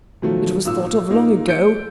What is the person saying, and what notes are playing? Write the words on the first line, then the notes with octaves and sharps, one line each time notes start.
It was thought of long ago.
B2 D#3 F3 F#3 A3
G#1 A#2 E6
A#2 A#3 D#4
G6 C#7 D7